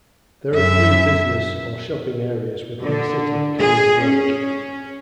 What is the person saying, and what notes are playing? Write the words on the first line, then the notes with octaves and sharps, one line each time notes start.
There are three business or shopping areas within the City of Canyon Lake.
F#2 E5
D3
G#4
C#4